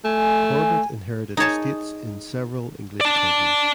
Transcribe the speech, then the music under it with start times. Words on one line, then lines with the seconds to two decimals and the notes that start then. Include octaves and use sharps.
Corbett inherited estates in several English counties.
0.04 A3 G#5
1.37 D#4 G#4 C#5 A5
3.01 D5 A5